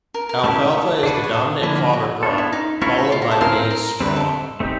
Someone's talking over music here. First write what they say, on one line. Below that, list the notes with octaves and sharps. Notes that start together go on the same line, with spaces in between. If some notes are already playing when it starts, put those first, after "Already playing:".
Alfalfa is the dominant fodder crop, followed by maize straw.
A#4
A#4
A3 C#4 E4 G4 A4
A4
D4 F#4 G#4 B4
D5
C#5
A4
D3 F3 A#3 D4 E4
F#4
F#4
B3 D4 F4 A4
E4
D#4
A3 C#4 E4 F4 A#4 C#5
F4
F#4
A4
C4 F4 G#4 A#4 C5 F5
A#4
D3 G3 C4 B4
A4
A3 C4 D#4 G4